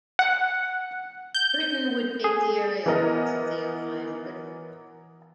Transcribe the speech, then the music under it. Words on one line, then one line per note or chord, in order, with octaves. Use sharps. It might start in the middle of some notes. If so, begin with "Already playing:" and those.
Britain would take the area north of the Ohio River.
F#5
G6
G#4
E3 B3 A#4 D#5